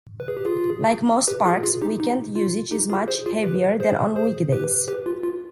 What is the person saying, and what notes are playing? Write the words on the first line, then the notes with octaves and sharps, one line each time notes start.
Like most parks, weekend usage is much heavier than on weekdays.
B4
G#4
G4
F4 G#4
G4 B4
F4 G#4
F4 G#4
D#4 G4
D#4
F4
D#4 G4
F4 G#4
G#4 C5
F4 G#4
G4 B4
G#4 C5
G#4 C5
G4 B4
G4 B4
F4
F4